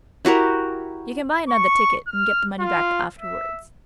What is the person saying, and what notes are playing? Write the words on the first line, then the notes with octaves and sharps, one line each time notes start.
"You can buy another ticket, and get the money back afterwards."
E4 F#4 G4 A#4
C#6
F6
F4
E5